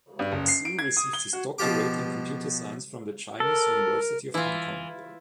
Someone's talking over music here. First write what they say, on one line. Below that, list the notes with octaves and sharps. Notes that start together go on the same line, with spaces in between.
Xu received his doctorate in computer science from the Chinese University of Hong Kong.
G2
F#1
C7
D7
G#6
D#6
G7
F#4
B2 F3 F4 G4 D6
A4 A#4
E3 E4 F4